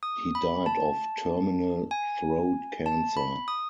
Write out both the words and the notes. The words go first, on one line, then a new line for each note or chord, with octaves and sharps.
He died of terminal throat cancer.
D#6
B5
A5
G#5
A5
B5
D#6